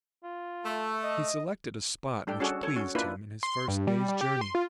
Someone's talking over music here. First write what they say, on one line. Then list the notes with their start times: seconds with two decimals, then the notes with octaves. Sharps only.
He selected a spot which pleased him in his first day's journey.
0.24 F4
0.65 A3
1.03 D#5
2.27 G3 D4 A4 G5
2.40 C#4 D4 F#4 G#4 A4
2.63 A4 C#5
2.76 C#4 F#4
2.95 A#3 D4 E4 F4 B4
3.43 C6
3.68 G2
3.87 G3
4.08 G3
4.21 G4
4.41 C6
4.55 F4